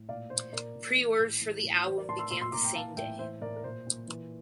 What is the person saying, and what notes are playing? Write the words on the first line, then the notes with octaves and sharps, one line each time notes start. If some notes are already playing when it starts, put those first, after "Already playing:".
Preorders for the album began the same day.
Already playing: A2
A#2 D5 F5
A#2 C5
A#2 A#4 D5
A#2
E3
A2
E3
A2
E3 C5
A#4 D5
A2 A5 C6
C6 E6
A#2 C6 E6
C6 E6
A#2 A#5 D6
G5 A#5
E3 F5 A5
A2 E5 G5
E3 C5 E5
A2 A#4 D5
A#4
A#2 C5
A#2
E3